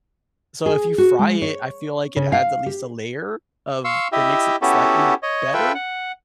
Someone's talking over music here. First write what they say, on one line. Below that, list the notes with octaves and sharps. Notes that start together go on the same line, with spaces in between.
So, if you fry it, I feel like it adds at least a layer of it makes it slightly better,
G#4
F#4
G#3
C#5
C#3
F5
G4
F5 C6 C#6 E6
E4 G4 D#5 E5
B3 C#4 E4 F#4 G4 A4
C#5 D#5
F4 A4 B4 E5 G5
F#5